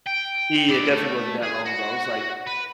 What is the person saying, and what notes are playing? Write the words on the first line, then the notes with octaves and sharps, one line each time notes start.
Yeah, it definitely wasn't that long ago, it was like
G5
E4 D5
A3
G#4
F#4
B4